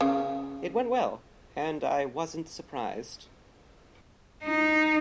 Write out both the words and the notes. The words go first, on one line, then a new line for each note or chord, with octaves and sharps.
It went well, and I wasn't surprised.
C#3
D#4